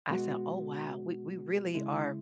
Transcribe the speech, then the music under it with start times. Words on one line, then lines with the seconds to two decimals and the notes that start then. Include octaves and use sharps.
I said, "Oh, wow. We we really are"
0.09 B2 G#3 B3 F#4
1.74 C#3 G#3 E4